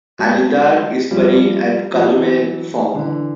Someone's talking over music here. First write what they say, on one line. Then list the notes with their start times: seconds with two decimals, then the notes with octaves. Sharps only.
Alydar is buried at Calumet Farm.
0.19 F#3 G#3
1.11 F3 G3
1.93 F3
2.03 E3 F#3
2.94 D3 E3